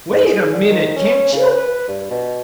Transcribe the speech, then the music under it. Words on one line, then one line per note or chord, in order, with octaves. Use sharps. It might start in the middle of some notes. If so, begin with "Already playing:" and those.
"Wait a MINUTE, can't you?"
G#2
G#4
D3
D#3
C#4
C#3
B4
G2
B2